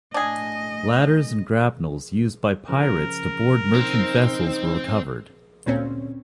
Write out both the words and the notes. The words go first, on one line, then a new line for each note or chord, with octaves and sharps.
Ladders and grapnels used by pirates to board merchant vessels were recovered.
A2 D4 G#4 D#5
C#3 F3 C#4 A#4
C4 D#4 C5
D2 A#2 C4 C#4